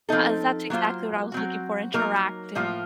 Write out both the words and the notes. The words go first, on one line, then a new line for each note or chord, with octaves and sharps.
Uh, that's exactly what I was looking for, interactive
F3 C4 D#4 A4
F#3 A#3 F4 C5
F#3 C4 F#4
F#3 A#3 D#4 A#4
A2 F3 A#3 F4